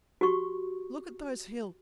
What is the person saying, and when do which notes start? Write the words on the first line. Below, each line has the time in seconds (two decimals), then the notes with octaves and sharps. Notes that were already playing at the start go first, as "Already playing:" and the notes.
Look at those hills!
0.21 F#4 G4 C#6